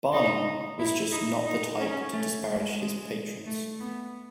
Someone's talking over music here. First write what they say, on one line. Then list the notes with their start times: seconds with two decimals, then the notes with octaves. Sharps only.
Barnum was just not the type to disparage his patrons.
0.13 D#4
0.79 E4
1.12 D#4
1.46 D#4
1.79 C#4
2.12 A3
2.46 G#3
2.80 G#3
3.46 A3
3.80 B3